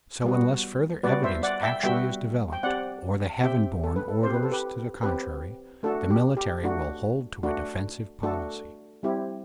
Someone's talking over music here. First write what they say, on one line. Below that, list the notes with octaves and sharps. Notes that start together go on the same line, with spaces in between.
So unless further evidence actually is developed, or the Heaven-Born orders to the contrary, the Military will hold to a defensive policy.
G3 B3 F#4
G3 B3 F#4 B4 D5
C5 E5
D5 F#5
E5 G5
G3 B3 F#4 E5 G5
G5
C4 G4 D5 F#5
C4 G4 E5 G5
A4
B4
A4
C4 G4 C5
B4
A4
G4 B4
C4 G4 B4
A3 D4 F#4 A4
G4
G4
A3 D4 F#4
A3 D4 F#4
A3 D4 F#4 A4
G3 C4 E4 G4